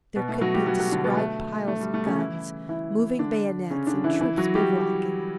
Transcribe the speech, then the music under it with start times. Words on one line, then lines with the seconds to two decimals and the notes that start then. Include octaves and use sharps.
There could be descried piles of guns, moving bayonets, and troops bivouacking.
0.16 B2 B3
0.29 A3
0.41 F#3 F#4
0.54 G3 G4
0.67 F#3 F#4
0.79 F#3 F#4
0.92 D3 D4
1.04 B2 B3
1.17 A3
1.68 A3
1.80 G3
1.94 A3
2.06 C#3 C#4
2.18 E3 E4
2.69 E3 E4
3.19 D3 D4
3.70 C#3 C#4
3.87 D3 D4
4.04 E3 E4
4.21 E3 E4
4.37 F#3 F#4
4.55 G3 G4